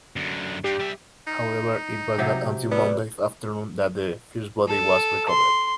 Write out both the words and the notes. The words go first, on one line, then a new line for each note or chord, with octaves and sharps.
However, it was not until Monday afternoon that the first body was recovered.
F#2 D3
G2 G4
G3 E5
D#4
C3 F#3 G4
B3 B4 D5 F#6
A4
C6